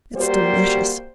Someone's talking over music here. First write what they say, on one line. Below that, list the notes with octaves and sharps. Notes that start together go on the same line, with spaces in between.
It's delicious.
G3 A#3 F#4 G4 C5